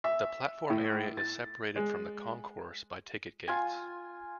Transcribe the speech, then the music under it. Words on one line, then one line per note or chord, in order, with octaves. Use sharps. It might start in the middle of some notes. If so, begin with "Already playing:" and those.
The platform area is separated from the concourse by ticket gates.
E5
A2
A6
G#3
F4 G#5